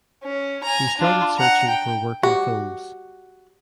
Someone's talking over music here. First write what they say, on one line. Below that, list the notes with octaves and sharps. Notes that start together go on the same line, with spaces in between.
He started searching for work in films.
C#4
G#5 A#5
D4 F4
F#5 A#5
G5
F#4 G4